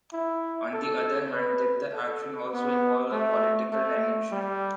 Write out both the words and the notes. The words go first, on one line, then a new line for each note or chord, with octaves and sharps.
On the other hand, did the action also involve a political dimension?
E4
A4
B4
A4
B3
A3
A3
G3